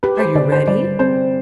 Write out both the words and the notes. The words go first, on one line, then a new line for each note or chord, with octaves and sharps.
"Are you ready?"
G4 B4
C5
D3 D5
C5
G3 D5
C4 C5